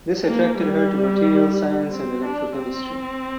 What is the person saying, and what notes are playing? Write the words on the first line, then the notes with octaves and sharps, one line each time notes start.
This attracted her to materials science and electrochemistry.
A#3
G3
C4
D4
C4